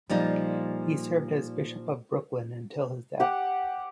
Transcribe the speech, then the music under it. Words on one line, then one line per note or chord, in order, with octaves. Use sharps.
He served as Bishop of Brooklyn until his death.
A#2 F3 G3 D#4
G4 F#5